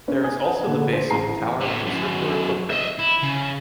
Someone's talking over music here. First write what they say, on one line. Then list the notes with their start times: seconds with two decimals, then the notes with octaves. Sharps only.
There is also the base of a tower with a circular footprint.
0.08 C#4 B4 C5
0.23 G#5 D#6 G#6
0.44 F#5
0.66 A#2 D3 A3 B4
0.89 G#4 C5
1.10 A1 A2 A#5 C6 C7
1.61 A2 D3
1.86 F#2 B2
2.70 D#5 E5
2.99 E4
3.23 C#3